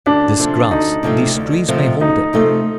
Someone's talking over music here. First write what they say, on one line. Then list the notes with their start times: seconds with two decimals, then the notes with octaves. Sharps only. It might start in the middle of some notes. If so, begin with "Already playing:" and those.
This grass, these trees, may hold it.
0.06 D2 D4
0.39 C3 F3 A3 C4
0.71 D2 D#4
1.03 C3 F3 A3 C4
1.35 D2
1.68 C3 F3 A3 C4
2.00 D2 D#4
2.33 C3 F3 A3 C4